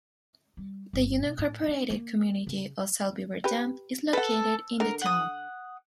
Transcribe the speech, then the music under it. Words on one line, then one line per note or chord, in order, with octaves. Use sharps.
The unincorporated community of South Beaver Dam is located in the town.
G3
G1
B2
A2
D4
A#3
C#3
G4 B4
A4 B4 F#5
D3 A#4
F#5 D#6